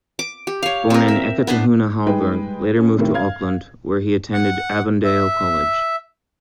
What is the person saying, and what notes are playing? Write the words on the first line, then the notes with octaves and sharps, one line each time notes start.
Born in Eketahuna, Halberg later moved to Auckland, where he attended Avondale College.
D6
G4
C#5 F5
C4 A#4
E5
B3 D4 B4 C5
G3 G#3 D#4 G#4 B4 G5
A#3 C#4
A2 C3 D#3 A#3
F5 G#6
F#5
E5